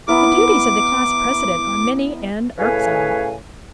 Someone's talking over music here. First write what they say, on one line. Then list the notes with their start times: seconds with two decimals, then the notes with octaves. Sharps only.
The duties of the class president are many and irksome.
0.08 B3 E4 A#4 D6
2.59 A2 C#3 B4 C#5 F5 G#5